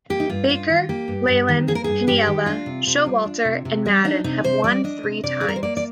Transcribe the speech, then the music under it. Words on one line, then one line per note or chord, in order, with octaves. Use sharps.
Baker, Leyland, Piniella, Showalter and Maddon have won three times.
A#3 G4
D#4
G2 F4
G2 F4
D#3 F4
A#3 G4
G2
G2
D#3
A#3 G#4
A#4
G2 G#4
G2 G4
D#3
D4 F4
C3
C3
G3
D4
C3
C3
G3
D4 D#4
C3 D#4
C3 C5
G3 D5
D4 D#5
C3
C3 D5
G#4
G3
A#4
C5
A#3 D5
D5